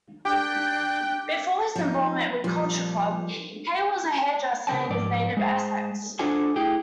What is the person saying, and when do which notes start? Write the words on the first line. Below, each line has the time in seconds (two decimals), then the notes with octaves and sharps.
Before his involvement with Culture Club, Hay was a hairdresser in his native Essex.
0.25 D4 G4 G5 F#6
1.76 F3 D#4
2.44 A#2 F3 G3
4.67 C#3 A#4 C5 G5 A5
4.90 G#2 F3 D5
5.37 G#3 C5
6.19 D4 F4 F#4 A4 C5 G#5
6.56 A3 E4 G4 G#4 G5